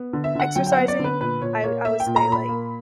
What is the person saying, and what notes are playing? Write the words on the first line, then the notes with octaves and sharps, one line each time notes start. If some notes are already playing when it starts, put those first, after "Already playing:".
exercising, I I would say, like
Already playing: B3
D3
E5
D3 F#5
F#3 G5
G5
B3 F#5
D5
D3
B4
A#2 B4
A#2 C#5
A#3 C#5
A#3 E5
G5
A#2
A#5
A#2
B5
A#3